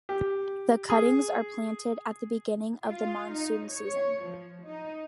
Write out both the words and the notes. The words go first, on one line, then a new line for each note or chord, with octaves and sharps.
The cuttings are planted at the beginning of the monsoon season.
G4
G#4
F4
D#4
C#5
F3
D#4